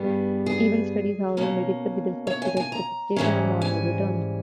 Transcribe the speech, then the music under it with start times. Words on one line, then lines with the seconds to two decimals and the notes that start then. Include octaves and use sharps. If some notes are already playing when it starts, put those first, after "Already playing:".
Event studies, however, may differ with respect to their specification of normal returns.
Already playing: G2 G3 B3 G#4
0.46 G#4
1.37 B2 A#3 C#4
2.27 C#5
2.42 G#5
2.57 G#5
2.72 A#5
3.16 G#2 E3 G3 C#4
3.62 G#5